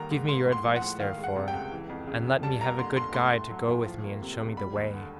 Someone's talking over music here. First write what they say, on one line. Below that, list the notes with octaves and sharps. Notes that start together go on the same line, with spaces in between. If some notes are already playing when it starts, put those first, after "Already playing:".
Give me your advice therefore, and let me have a good guide to go with me and show me the way.
Already playing: C2 D#3 G3 A#3 A#5
G#2
A#3 C6
A2
C6
F3
F#5
A2
D#3 F5
G#3
F#5
C3
G5
C#2
E3
F2
C#3
F2
G3 A5
A#3 A#5
D3 C6
G2 C6
A3 C6
A2
F#3
A2
F3
A#3
C3
C#2
G3 B5
D#2
D3